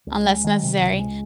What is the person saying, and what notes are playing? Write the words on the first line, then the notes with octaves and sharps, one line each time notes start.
unless necessary,
C#2
G#3
D#3
C3
C#2
G#3